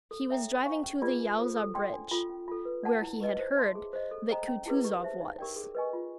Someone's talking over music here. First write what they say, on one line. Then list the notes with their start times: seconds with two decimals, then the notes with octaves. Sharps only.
He was driving to the Yauza bridge where he had heard that Kutuzov was.
0.11 A4
0.30 C#5 E5 G5 A#5
0.48 A4
0.65 C5 F5 G#5 C#6
0.83 C#4
1.02 F4 G#4 B4 D5
1.20 D4
1.38 F4 A4 C5
1.56 A4
1.75 D5 G5 C6
1.93 D4
2.11 F4 A4
2.29 C#4
2.48 F4 A4
2.65 B4
2.83 D5 F#5 A5
3.02 E4
3.20 G4 B4 D#5
3.39 C5
3.56 E5 A5 C6
3.75 G#4
3.93 C5 D#5
4.11 A4
4.30 C5 D#5 G5 A#5
4.48 C#4
4.66 E4 G#4 B4
4.85 G4
5.03 C5 E5 A5
5.21 D#4
5.38 G4 A#4 D5 G5
5.56 G#4
5.75 B4 D#5 G#5 C#6
5.93 F4